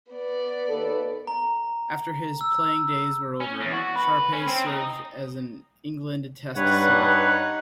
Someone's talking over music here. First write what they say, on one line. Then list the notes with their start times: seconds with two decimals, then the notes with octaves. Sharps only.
After his playing days were over, Sharpe served as an England Test selector.
0.13 B3 D5
0.68 D#2 A4 B4
1.27 A#5
2.41 E6
3.40 C#4
3.61 E2
3.73 F#4
3.96 B4
4.33 C#4
4.47 C4
4.67 D#4
6.56 G2 D#4 B4 C#5 F#5